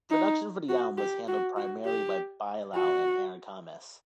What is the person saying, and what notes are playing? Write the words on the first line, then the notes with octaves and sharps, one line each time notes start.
Production for the album was handled primarily by Bilal and Aaron Comess.
D#4
F#4
G4
F#4
F#4
G4
F#4